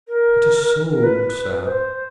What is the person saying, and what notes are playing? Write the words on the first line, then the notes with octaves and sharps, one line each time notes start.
"It is sold, sir."
A#4
A#4
B4
B4
C5